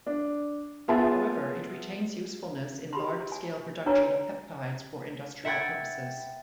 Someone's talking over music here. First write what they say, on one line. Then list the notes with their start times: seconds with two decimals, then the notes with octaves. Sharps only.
However, it retains usefulness in large-scale production of peptides for industrial purposes.
0.06 D4
0.88 B3 F4 G#4 E5 A5
2.93 G4 B5 C6
3.32 G#5
3.86 D4 F#4 B4 C#5 A#5
5.45 E5 F#5 G5 B5 G#6 A6